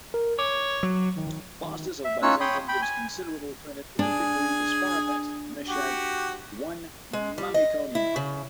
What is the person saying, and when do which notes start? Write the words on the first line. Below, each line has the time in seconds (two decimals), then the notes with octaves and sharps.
Faustus of Byzantium gives considerable credit for the victory to "sparapet" Mushegh I Mamikonian.
0.14 A#4
0.39 C#5 D6
0.83 F#3
2.04 E5
2.22 C#4 D#4 F4 C#5 E6 F#6
2.41 C#5 G5 B5 C6 D#6
2.68 G5 B5
2.82 G#5
3.99 D4 G#4 G#5
5.69 F#4 G4
7.13 G#3
7.38 G3
7.54 D#5
7.95 E4
8.16 C#3